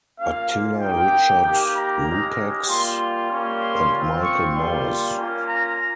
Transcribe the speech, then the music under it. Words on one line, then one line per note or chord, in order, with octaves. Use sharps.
Attila Richard Lukacs and Michael Morris.
A#3 C#4 F4 F5
A#3 D#4 G4 G5
A#3 D#4 G4
A#5
G#3 C#4 G4
G3 A#3 F4 C6
G3 A#3 C#4 C6
C4 F4
C#6
G3 A#3 F4 C6
A#3 C#4 F4
A#5